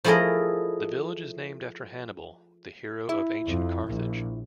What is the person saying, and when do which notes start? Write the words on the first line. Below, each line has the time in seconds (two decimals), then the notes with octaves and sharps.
The village is named after Hannibal, the hero of ancient Carthage.
0.04 F3 A3 E4 G#4 A#4 D#5
3.09 E4
3.47 F2
3.86 A#1